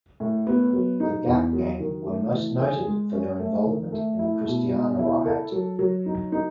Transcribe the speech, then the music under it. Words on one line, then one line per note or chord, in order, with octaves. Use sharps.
The Gap Gang were most noted for their involvement in the Christiana Riot.
A2
B3
F#3
D#4
E2
F#3
D#3
A3
E3
G#4
G#3
C#4
A3
D#3
A3
E4
B2
B2
E4
A4
F#3
F#3
D#4
D#4